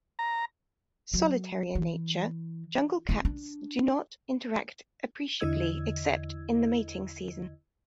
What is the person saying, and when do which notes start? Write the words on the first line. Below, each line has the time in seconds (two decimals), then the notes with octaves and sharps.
Solitary in nature, jungle cats do not interact appreciably except in the mating season.
0.19 A#5
1.14 F#3
1.75 E3
3.09 C4 E4
3.25 D4
5.40 E2 D3 E4 D#5 E6 G#6